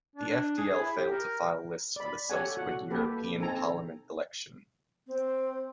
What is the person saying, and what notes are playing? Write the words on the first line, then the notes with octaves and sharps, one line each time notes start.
The FdL failed to file lists for the subsequent European Parliament election.
D4
G#4
E4
G4
A#4
D5 B5
G4 A4 C#5 D5 F#5 G#5
F#4 F#5
A#3 G4 A4 B4
C4 D#4 A4 G#5 A#5
C4